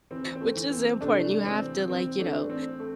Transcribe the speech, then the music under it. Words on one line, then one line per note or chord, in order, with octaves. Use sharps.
Which is important, you have to, like, you know
E3 C4
C4
A3
E3
C4
C3 A3 D4
E3 C4
E3 C4
A3 D4
E3
C4
A3